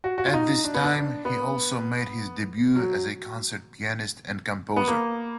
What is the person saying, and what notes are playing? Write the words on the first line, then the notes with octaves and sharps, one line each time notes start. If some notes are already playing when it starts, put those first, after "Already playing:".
At this time, he also made his debut as a concert pianist and composer.
F#4
F#4
F4
D#4
D4
B3
D4
B3
F#3
B3
A#3